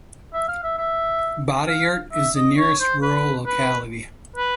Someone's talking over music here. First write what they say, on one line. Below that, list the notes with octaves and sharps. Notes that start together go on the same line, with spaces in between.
Batayurt is the nearest rural locality.
E5
F5
E5
E5
F5
E5
D#5
C#5
C5
B4
B4
B4